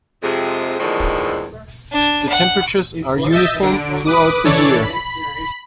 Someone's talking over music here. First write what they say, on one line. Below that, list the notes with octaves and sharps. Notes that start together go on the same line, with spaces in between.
The temperatures are uniform throughout the year.
F2 C3 G#3
E2 A2 D3 D#3 F3 G#3
D4
F#5
D#5 E5 E6 G6 A6
D3 D7
B4 D6 D#6
E3 A4 C#5 D5 A6
B5